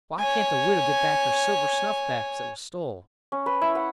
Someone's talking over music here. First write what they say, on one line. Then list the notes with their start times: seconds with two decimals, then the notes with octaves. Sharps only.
Why can't the widow get back her silver snuffbox that was stole?
0.19 C#5 G#5
3.32 C#4
3.46 B4
3.62 E4
3.75 F#5